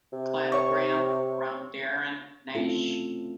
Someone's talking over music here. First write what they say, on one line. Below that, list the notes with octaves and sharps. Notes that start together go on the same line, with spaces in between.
Cladogram from Darren Naish.
C3
C#5 C#6
A3 C4 C#4 E4 F4 A4